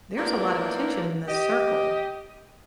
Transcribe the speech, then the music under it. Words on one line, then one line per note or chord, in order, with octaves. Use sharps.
There's a lot of tension in this circle.
F3 A#3 B3 D4 E4 F4
G4 D#5